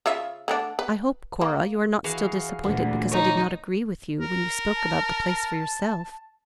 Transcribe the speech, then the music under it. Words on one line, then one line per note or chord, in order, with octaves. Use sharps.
"I hope, Cora, you are not still disappointed because I did not agree with you when you spoke about the place for yourself."
C#3 F4 E5
D3 A3 D4
B4
A#3
E3 F#4 G#4 F5
D2 A#2 D3 E3
D#4 C#5
A#4
A5